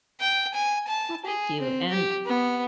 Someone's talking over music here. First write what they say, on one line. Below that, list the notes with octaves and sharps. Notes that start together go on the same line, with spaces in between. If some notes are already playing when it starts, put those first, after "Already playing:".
Well, thank you. And
G5
G#5
A5
G#4
C4
G4
B3